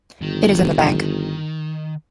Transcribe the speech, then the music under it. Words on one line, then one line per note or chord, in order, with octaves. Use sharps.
It is in the bank.
G1 D#3